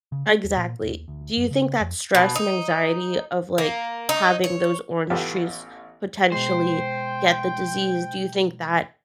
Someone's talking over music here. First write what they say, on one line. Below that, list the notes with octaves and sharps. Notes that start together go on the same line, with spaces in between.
Exactly. Do you think that stress and anxiety of, like, having those orange trees potentially get the disease, do you think that
C#3
A3
D#2
A#2
D#2
D2
F#2
C#3
F2
B2
D#4
A#3
D#4
C#5
A1 B3 F4 G4 A4
B2 G#3 C5 G5